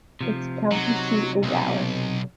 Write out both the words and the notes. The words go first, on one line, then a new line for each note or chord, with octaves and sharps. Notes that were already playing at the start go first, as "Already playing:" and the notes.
Its county seat is Alice.
C3 F3
C3 F#3 D#4
B1